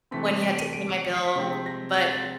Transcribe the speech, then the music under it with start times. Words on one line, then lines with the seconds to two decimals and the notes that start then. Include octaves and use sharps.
when he had to pay my bill, but
0.11 C3 E3 A3 C4 B6
0.27 D#7
0.42 D7
0.59 D#7
0.73 D7
0.89 D7
1.04 C#7
1.15 C7
1.24 B6
1.35 C3 F3 G#3 C4
1.66 A#6
1.97 A6
2.13 A6